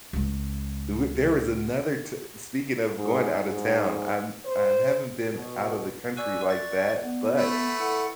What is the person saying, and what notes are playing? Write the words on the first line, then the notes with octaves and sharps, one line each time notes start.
uh, there was another t speaking of going out of town, I'm I haven't been out of the country like that, but,
C#2 G#3
G#2
G#2
C5
B2
D5 G#5 C#6 E6 F#6
C#6 A6
B3
A3 B4
E4 A4 F#5